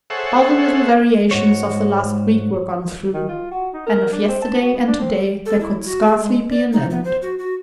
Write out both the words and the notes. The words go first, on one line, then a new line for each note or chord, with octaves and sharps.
All the little variations of the last week were gone through; and of yesterday and today there could scarcely be an end.
G#4 A4 C5 C#5 E5 F#5
G#2 F#4 C#5
D#3
F4
F#4
D#4
A#4
D4
C4
A5
F#4
B3
D4
C4
A4
E4
F#4
G#4
G#3
D5
D#4
B3
C5
F#4
F#4